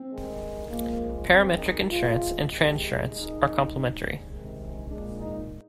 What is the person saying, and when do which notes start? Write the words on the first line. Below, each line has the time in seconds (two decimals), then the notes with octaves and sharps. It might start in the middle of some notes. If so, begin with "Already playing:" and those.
Parametric Insurance and Transurance are complementary.
Already playing: C4
0.08 G2 D#3 G#3
0.68 G#2 F3 G#3 A#3
1.28 G2 D#3 G#3 C4
1.58 D#4
1.87 C3 F3 G#3 F4
2.48 F2 C3 D#3 G#3 G4
3.08 F2 D#3 G#3 D#4
3.68 G#2 G3
4.28 C3 D#3 G#3
4.87 A#2 G#3 D4
5.17 D#4